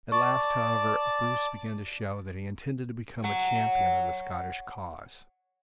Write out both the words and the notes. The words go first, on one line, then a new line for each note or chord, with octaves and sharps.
At last, however, Bruce began to show that he intended to become a champion of the Scottish cause.
D5 A5 C#6
C#5 F#5